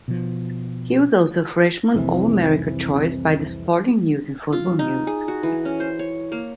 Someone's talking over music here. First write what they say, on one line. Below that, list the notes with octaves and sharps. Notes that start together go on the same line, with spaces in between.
He was also a Freshman All-America choice by The Sporting News and Football News.
B2 F3
C2 F2 C3 E3
F4
D#4
G#4
F#4
E3
C#4
C5
C#5
A#3